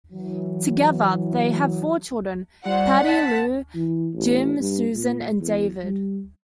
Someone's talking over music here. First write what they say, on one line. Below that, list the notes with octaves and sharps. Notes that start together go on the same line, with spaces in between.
Together they had four children: Patty Lou, Jim, Susan and David.
E3 F#3
G3 F4 C5 D5 F#5
C4 A5 B6
E3
A1
G2
A#2
E2
G3